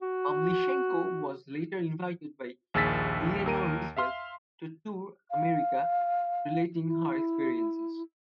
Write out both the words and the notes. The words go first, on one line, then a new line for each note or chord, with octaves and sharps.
Pavlichenko was later invited by Eleanor Roosevelt to tour America relating her experiences.
F#4
A#1 D#2 G#4 E6 A6 B6
D#2 A#4 D#7
E5 F5 C6 F6
F5
E4